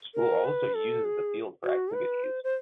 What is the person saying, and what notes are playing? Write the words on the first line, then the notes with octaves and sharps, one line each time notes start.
The school also uses the field for activities.
A#4
B4
A4
G#4
F#4
B4
C5
C5